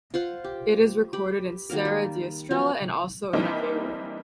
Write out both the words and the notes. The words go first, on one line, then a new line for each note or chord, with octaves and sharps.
It is recorded in Serra da Estrela and also in Aveiro.
F4 C5 F#5
G4
G4 B5
D#3 F#3 A#3 A#4
G3
F3 F#3 B3
E3 G3 A#3 C4 D4 D#4